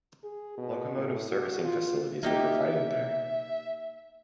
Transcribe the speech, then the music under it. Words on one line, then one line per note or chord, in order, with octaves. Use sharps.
Locomotive servicing facilities were provided there.
G#4
B2
A2
F#4
F4
A#3 D#4 G4 E5